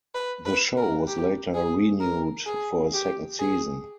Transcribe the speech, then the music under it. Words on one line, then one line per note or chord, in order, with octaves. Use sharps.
The show was later renewed for a second season.
B4
B4
A#4
G4
G#4
A#4
G#4
G4
G#4